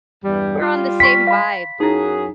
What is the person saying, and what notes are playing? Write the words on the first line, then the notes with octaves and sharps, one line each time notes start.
We're on the same vibe.
E2 G2 G3
G3 F4
G5 C6 C#6 B6
F5 B5
F#2 F#3 D#4 E4 G#4